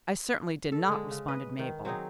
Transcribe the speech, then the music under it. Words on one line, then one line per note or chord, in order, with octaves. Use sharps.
"I certainly did not," responded Mabel.
A4
D3 G#3
C#3
B4 D#5
D#3
F#3 C4 D#4 G#4